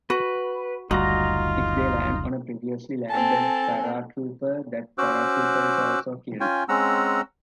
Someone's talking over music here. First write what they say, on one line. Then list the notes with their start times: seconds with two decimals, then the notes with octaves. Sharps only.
If they land on a previously landed paratrooper, that paratrooper is also killed.
0.10 F#4 B4
0.91 F#1 D2 G3 D#4 F4 F#4 A#5
3.10 C4 A4 G#5 A5
4.98 C#4 F#4 C5 D6 E6 F#6
6.40 C#4 F4 G5 G#5
6.69 G#3 C4 C#4 F#5 A#5 E6